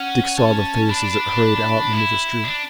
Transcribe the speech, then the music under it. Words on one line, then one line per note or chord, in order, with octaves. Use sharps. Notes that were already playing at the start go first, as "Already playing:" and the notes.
Dick saw the face as it hurried out into the street.
Already playing: C#4 F#5
A5
D4 B5
E4
D4